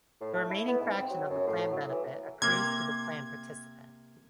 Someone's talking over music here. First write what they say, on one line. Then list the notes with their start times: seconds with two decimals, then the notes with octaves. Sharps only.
The remaining fraction of the plan benefit accrues to the plan participant.
0.21 A2
0.34 A3
0.50 E4
0.68 B3
0.80 G#2
0.94 C4
1.10 F#3
1.30 F#2
1.47 A2
1.72 F#3
1.90 E3
2.42 C3 A#3 G#6